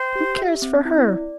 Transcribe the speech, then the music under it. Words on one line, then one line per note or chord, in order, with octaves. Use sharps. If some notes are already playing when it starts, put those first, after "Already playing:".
Who cares for her?
Already playing: C5 G5
G4
E5
C4
E4
D5